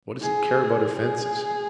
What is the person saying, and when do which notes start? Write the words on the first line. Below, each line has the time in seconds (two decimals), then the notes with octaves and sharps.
What does it care about offences?
0.22 G#4
0.96 G#4